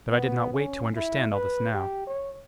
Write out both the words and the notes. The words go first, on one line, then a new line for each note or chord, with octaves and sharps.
But I did not wait to understand all this now.
B3
C#4
E4
B4
G4
C#5